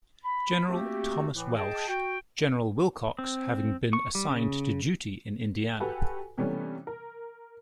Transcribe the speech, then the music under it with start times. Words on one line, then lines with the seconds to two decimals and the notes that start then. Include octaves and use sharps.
General Thomas Welsh, General Willcox having been assigned to duty in Indiana.
0.24 B5
0.68 A3 A#3 C4 F#4 G4
1.34 A2 E3
1.56 G#4 D#5 G5 A5
1.88 F#4 G5
3.19 C4
3.93 C#6
4.15 G3
4.30 C#3
5.80 F#4 G4 A4 B4 F#5 G#5
6.38 C3 E3 G3 A3 B3 C#4
6.87 A#4